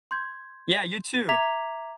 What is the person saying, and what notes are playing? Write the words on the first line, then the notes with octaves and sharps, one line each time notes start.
Yeah, you too.
C6 G6 G#6
E5 A#5 D6 G#6 B6 F7